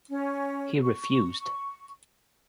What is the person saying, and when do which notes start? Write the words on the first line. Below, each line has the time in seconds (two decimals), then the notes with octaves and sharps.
He refused.
0.09 C#4
0.82 C#6